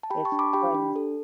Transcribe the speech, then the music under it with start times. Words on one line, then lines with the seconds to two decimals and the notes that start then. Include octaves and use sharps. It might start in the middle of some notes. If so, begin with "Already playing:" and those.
It's the friends.
0.03 A5
0.10 G4 G5 B5
0.25 A5 C#6
0.32 D4
0.39 B5 D6
0.53 G4 G5 B5
0.74 D4
0.96 A4